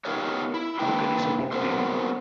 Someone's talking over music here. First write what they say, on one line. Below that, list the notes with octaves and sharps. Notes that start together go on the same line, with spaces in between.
How can I support them?
B3 D#4 F4 G4 A#4 C#5
E4
A#3 D4 B4 G5
D3 F#3 B3 C4 A#4 C5